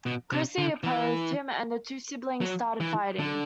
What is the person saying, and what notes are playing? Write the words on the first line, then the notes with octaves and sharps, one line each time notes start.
Chrissie opposed him, and the two siblings started fighting.
B2
C3
D3
E3
F#3
E3
D3